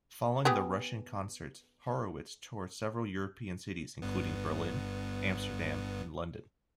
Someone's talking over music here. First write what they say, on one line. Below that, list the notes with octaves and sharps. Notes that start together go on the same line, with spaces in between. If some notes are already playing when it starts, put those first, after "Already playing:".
Following the Russian concerts, Horowitz toured several European cities including Berlin, Amsterdam, and London.
B3 G4 G#4
G1 G2 B3